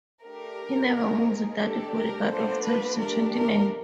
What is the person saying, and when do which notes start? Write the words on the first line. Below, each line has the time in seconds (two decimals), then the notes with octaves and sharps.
He never moves without a bodyguard of twelve to twenty men.
0.24 A3 D4 G4 A#4
0.93 C4 D#4 G#4
1.62 D4 G4 A4
1.96 A#4
2.30 B3 D4 F4 A4 C5
2.65 B4
2.99 A3 D4 G4 A#4
3.34 A#4